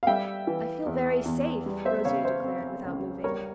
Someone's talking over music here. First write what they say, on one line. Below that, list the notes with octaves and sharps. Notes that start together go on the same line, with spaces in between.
"I feel very safe!" Rosier declared without moving.
F5
G3 E5 G5
E3
E2
E2
G3
C5 E5
C#3 C#5 F5
C5 E5
C4
C#2
G3 A#4 C#5